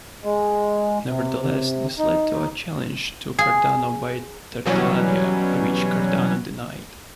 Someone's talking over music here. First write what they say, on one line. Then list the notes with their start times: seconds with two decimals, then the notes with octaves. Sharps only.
Nevertheless, this led to a challenge to Cardano by Tartaglia, which Cardano denied.
0.24 G#3
1.08 C3
1.99 D#4
3.39 G#4
4.65 B2 E3 F#3 G3 C#4